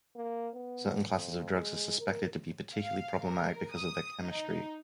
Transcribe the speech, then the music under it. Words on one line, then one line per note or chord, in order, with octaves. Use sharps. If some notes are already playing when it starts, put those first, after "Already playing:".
Certain classes of drugs are suspected to be particularly problematic because of their chemistry.
A#3
B3
F2
G#3
A#4
F5
A#4
D#6
D#4